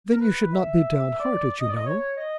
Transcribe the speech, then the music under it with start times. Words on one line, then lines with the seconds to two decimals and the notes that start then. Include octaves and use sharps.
'Then you should not be downhearted, you know.'
0.11 A#4
0.20 B4
0.53 E5
1.19 D5
1.59 D#5
1.68 D5
1.76 D#5
1.84 C#5
2.17 D#5